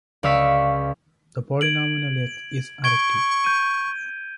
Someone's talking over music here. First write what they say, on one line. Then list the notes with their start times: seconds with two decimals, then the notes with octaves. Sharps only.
The polynomial "x" is additive.
0.23 C#2 D5 F5 C#6 E6 B6
1.61 G#6 D7 F#7
2.84 C#6 G#6 D7 G7
3.44 G6 D#7